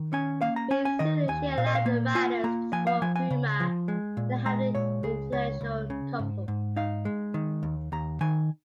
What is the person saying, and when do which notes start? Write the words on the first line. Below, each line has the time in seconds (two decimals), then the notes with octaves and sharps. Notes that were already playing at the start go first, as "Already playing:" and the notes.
Being Zulu, she allowed the writers to explore humour in having an interracial couple.
Already playing: D#3
0.13 C#4 G#5
0.42 A#3 F5
0.56 A#5
0.71 C#4 G#5
0.85 G#5
0.99 D#3 D#5
1.28 D#2 G#5
1.58 A#2 F5
1.67 D#5
1.75 F5
1.86 A#3
2.15 F4 G#5
2.44 A#3 A#5
2.72 F3 G#5
2.87 F5
3.02 F3 G#5
3.16 G#5
3.31 C#3
3.60 F3
3.88 G#3
4.17 A#2
4.46 G#3 A#5
4.75 A#2 C#5
5.03 C#2 G#4
5.32 C#2 C#5
5.61 C#2
5.90 C#3
6.19 G#2
6.48 G#2
6.76 D#4 F5
7.05 G#3
7.34 D#3
7.63 D#2
7.92 D#2 A#5
8.21 D#3 G#5